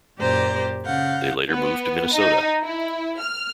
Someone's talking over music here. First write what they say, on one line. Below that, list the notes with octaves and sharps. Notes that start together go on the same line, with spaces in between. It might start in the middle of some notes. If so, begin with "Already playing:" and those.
They later moved to Minnesota.
F#2 A#2 G4 C5 D5 A#5
C#3 F5 F#5 G6
B3
D#4
E4
F6